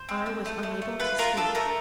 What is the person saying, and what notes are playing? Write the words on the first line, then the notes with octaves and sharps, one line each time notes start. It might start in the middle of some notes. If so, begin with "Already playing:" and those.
I was unable to speak.
Already playing: C5
C4
C4
A3
A3
A3
F4 B4
F4 A#4
D4 A4
A3 A#4